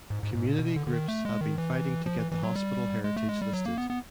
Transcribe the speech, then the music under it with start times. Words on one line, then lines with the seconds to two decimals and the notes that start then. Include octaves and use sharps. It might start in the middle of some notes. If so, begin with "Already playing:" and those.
Community groups have been fighting to get the hospital heritage listed.
0.10 G#2
0.23 G#2
0.35 G#2
0.47 A#2
0.59 B2
0.76 D3
0.87 D3
0.92 D#3
1.08 A3
1.25 G#3
1.41 D#3
1.58 E3
2.06 F3
2.19 E3
2.32 E3
2.43 F#3
2.56 G3
3.04 G#3
3.17 A3
3.29 G#3
3.41 G3
3.53 F#3
3.65 A#3
3.77 B3
3.90 B3